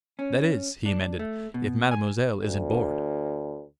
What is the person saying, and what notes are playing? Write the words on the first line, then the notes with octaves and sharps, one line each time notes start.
"That is," he amended, "if mademoiselle isn't bored ..."
C#4
D4
A3
B2
G#5
D2